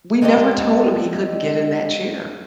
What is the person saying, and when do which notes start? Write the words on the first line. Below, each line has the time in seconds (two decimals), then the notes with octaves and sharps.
we never told him he couldn't get in that chair.
0.21 G#3 C4 D4 G4 A4 D#5